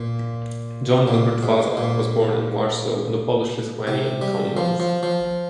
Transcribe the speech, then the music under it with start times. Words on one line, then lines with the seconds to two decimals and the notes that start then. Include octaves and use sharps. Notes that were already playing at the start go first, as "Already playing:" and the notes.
John Albert Vasa was born in Warsaw in the Polish-Lithuanian Commonwealth.
Already playing: A#2
1.08 A#2
1.43 G#2
1.77 A#2
3.87 C3
4.22 G3
4.57 F3
4.80 F3
5.03 F3